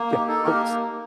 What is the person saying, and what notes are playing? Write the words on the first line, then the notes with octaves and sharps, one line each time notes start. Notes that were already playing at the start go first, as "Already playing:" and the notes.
Yeah, boats
Already playing: A#3
D#4 G4
D#4 A4
A#3 G4 A#4